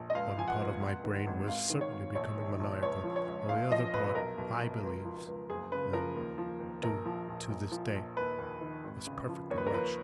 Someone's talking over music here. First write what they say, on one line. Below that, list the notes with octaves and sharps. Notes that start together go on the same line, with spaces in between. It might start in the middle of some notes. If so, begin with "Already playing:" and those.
One part of my brain was certainly becoming maniacal, while the other part, I believe, and do to this day, was perfectly rational.
Already playing: A#1
D#5
C#2 F5
F3 G#5
F#5
C#2
G#1
D#3
G#1
G#1 F5
D#3
C#5
G#1
A#1 C#5
D#3
A#1
C#2 C#5
F3
C#5
C#2
A#1 F5
F3 D#5
A#1 B4
B4
B1 A#4
B1
B2
C#2
F3
C#2
F#1 G#4
C#3 B4
F3 A#4
D#2
F3
D#2
A#1 A#4
F3
A#1
A#1
F3
A#1
D#2 B4
D#2
D#3
G#1
C#3
F3
D#2 C#5
B4
A#4
F3 B4